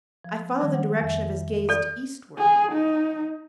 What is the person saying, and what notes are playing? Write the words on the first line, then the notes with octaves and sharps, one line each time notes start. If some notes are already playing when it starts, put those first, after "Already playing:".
I follow the direction of his gaze to eastward!
F3
D#3 F3 G3
F#5
F2 E5
A4 D5
G#4
D#4